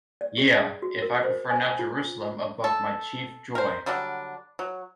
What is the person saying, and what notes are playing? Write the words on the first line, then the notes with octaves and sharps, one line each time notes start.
Yea, if I prefer not Jerusalem above my chief joy.
D5
G#4
F#4
A#4
C5
G#5
F4
A4
A#4 C5
D3 F#3 G3 D4
F#3